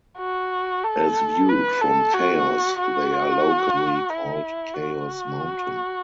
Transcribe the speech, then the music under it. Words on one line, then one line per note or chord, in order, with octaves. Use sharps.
As viewed from Taos, they are locally called Taos Mountain.
F#4
A4
B4
A4
F#4
F#4
E4
F#4